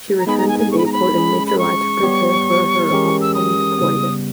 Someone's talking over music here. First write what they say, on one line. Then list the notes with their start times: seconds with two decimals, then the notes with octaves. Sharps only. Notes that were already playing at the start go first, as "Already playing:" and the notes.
She returned to Mayport in mid-July to prepare for her upcoming deployment.
0.19 A#5
0.27 G#3 B3 D#4 G#4 B5
0.38 A#5
0.48 G#5
0.59 G#5
0.71 C#6
0.78 B5
0.86 A#5
0.92 B5
1.15 G#3 C#4 G#4
1.47 B5
1.58 C#6
2.03 G3 B3 G4 C#5
2.91 E3 G#3 C#4 G4 A#4
3.21 E6
3.34 D#6
3.78 C#3 G3 B3